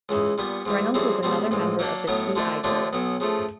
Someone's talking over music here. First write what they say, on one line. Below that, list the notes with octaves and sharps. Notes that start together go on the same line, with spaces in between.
Reynolds was another member of the T I Group.
C#2 C#3 E3
A#2 G3 B3
G#2 E3 G3
F2 C#3 E3 G3 C4
C#2 B2 G3 C4
A1 G#2 E3
F#3 A#3 D4
A2 F#3 B3 D#4
D3 F3 A3 D4
D#2 D3 F3 A3 D4
B1 B2 F#3
C#3 F3 A3